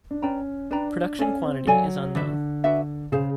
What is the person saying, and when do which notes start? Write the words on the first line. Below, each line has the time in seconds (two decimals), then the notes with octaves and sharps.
Production quantity is unknown.
0.11 D4
0.22 C#4 B4 D5 G5 A#5
0.71 D4 B4 D5 G5 A#5
1.19 C#4 A4 D5 F5 G#5
1.43 C4
1.67 F#3 A4 D5 F5 G#5
2.15 D3 D4 F#4 B4 E5
2.64 D4 F#4 B4 E5
3.12 C#3 G#4 C5 F5